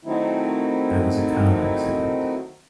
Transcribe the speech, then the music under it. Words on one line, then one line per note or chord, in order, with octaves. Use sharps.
There was a car accident.
D#3 F#3 A3 C4 D#4 E4